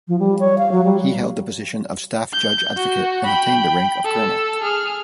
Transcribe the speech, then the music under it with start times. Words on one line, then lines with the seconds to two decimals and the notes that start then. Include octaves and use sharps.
He held the position of Staff Judge Advocate and obtained the rank of Colonel.
0.08 F3
0.19 G3
0.40 C#5
0.58 F5
0.71 F#3
0.85 G3
2.33 G6
2.76 F#4
3.25 G5 B5
4.04 A4 E6
4.63 G#4 F6